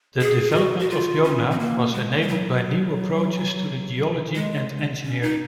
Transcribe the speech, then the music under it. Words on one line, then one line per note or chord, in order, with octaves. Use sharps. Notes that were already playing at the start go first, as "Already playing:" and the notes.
The development of Jonah was enabled by new approaches to the geology and engineering.
G#4
F4
F#4
F#4
F4
C#4
C4
A#3
G#3
G#3
F#3
G#3
C#4
D#4